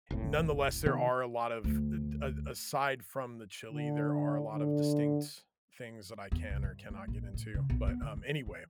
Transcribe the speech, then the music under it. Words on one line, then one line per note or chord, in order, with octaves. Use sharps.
nonetheless, there are a lot of d a aside from the chili, there are a lot of distinct things that I can or cannot get into. But, um, anyway,
E1 C2 A2
C3 D#3 B3
D2
D3
D3
E2
C2
G2
A3
A#1
A2
C#3
B1
B3
D3
F3
E3